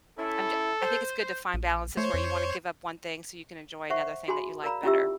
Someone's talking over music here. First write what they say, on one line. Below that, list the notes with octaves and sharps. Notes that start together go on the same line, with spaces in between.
I'm ju I think it's good to find balances where you wanna give up one thing so you can enjoy another thing that you like better.
C#4 E4 A4
C5
A#1
A3 C5 C#5
F2
C5 E5 F#5 C#6
F#4 G#4 G#5 B5 C6
A#4 D5 F5 A#5 B5
C#4 E4 F4 G4 E5 E6